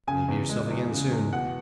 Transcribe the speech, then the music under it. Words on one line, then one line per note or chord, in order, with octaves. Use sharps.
You'll be yourself again soon.
C#3 G#5
E2
G#3
E2
C#3
E2
B2 F#5